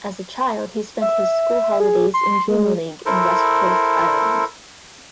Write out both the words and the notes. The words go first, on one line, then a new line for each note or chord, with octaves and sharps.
As a child, he spent his school holidays in Drimoleague in West Cork, Ireland.
E5
G#4
C6
G#3
E4 A4 A#4 C5